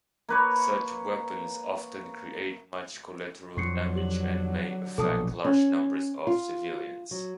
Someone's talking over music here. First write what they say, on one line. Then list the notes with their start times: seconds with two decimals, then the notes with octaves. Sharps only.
Such weapons often create much collateral damage and may affect large numbers of civilians.
0.28 A#3 B4 C#5
3.57 F2 D3 F#3 C#6 C7 C#7
3.96 G4 F#7
4.98 A#1 B2 A4 A5 D#6
5.45 C#4
6.27 F4
7.11 F#3